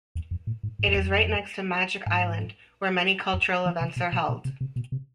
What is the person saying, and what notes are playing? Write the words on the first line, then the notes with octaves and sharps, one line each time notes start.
It is right next to "Magic Island" where many cultural events are held.
E2
F2
A2
G#2
G#2
F2
E2
F2
G#2
F2
E3
C3
B2
B2
B2
C3
C3
B2
C3